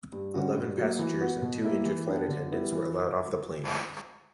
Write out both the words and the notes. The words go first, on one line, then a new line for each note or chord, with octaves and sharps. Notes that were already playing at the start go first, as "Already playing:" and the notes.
Eleven passengers and two injured flight attendants were allowed off the plane.
G2
D3 G3 C#4 F#4
G2
F#3 A#3
E3
B3 F#4
B2
G3 A#3 E4
E3
B3 D4 G4
D3
G3 B3 E4
E3